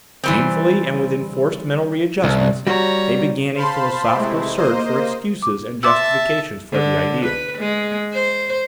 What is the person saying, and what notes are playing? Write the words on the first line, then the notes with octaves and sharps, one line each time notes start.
Painfully and with enforced mental readjustments, they began a philosophical search for excuses and justifications for the idea.
E3 G3 C4
C2
G3 F#4 C#5 A#5
C5 F5 A5 B5 C6
C3 G#3 A3 C4 E4
A#3 C5 D#5
D6
E5 A5 C6 D6 E6
D3
B4
G#3
C5